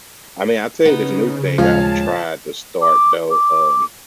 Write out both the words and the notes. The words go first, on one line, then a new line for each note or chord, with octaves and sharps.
I mean, I'll tell you this new thing I've tried to start, though, um,
C#3 B3 D#4
D#2 A#2 F3 G#3 C#5 F5 A5
D6
D6